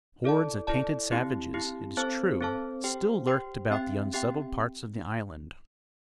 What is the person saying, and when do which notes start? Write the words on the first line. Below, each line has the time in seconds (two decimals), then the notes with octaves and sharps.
Hordes of painted savages, it is true, still lurked about the unsettled parts of the island.
0.24 E4 A4 D5 A5
0.67 E4 A4 D5 A5
1.11 C4 E4 G4
1.54 C4 E4 G4
1.97 C4 A4 C5 A5
2.40 C4 A4 C5 A5
2.84 G4 C5 G5
3.27 G4 C5 G5
3.70 C4 G4 E5 G5
4.14 C4 G4 E5 G5